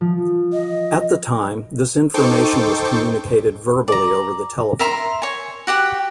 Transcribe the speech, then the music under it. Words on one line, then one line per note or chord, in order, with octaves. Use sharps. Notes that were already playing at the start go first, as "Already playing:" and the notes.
At the time, this information was communicated verbally over the telephone.
F3
D#5
D#4 A4 C5 G5 C#6 D6
D5 A#5
A#4 E5 A#5 C6
C#5 G#5
F#4 G4 F#5 G5